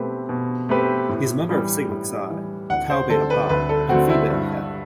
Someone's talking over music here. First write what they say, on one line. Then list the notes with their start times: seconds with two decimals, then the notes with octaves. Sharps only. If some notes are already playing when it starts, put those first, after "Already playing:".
He is a member of Sigma Xi, Tau Beta Pi and Phi Beta Kappa.
Already playing: B2 A3 C4 G4 B4
0.29 B2
0.69 A3 C4 G4 B4
1.09 A2
1.49 E3 G3
1.89 A2
2.30 E3 G3
2.70 D2 F#5
2.90 C5
3.09 D3 A3 C4 A4
3.30 B4
3.49 D2 B4
3.69 A4
3.89 D3 A3 C4 F#4
4.09 E4
4.30 G2